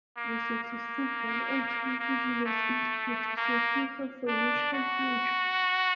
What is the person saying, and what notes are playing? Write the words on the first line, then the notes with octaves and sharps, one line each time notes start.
A successful run on television was intended to secure her financial future.
A#3
A#3
A#3
A3
A#3
D4
F#4